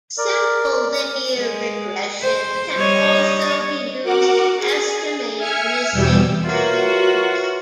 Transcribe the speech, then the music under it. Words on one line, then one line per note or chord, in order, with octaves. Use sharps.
Simple linear regression can also be used to estimate missing values.
A#4 D5
G#3
C5
G3 C#5 D#5
F#4 A#4 F#5 D6
G#4
E5 G#5 F6 G#6 C#7
E2 B2 G3 G5 E6
F4 F#4 A#4 B4 C#5 E5